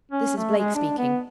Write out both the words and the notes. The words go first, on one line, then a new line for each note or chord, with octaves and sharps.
This is Blake speaking.
C#4
A3
G#3
D4
B3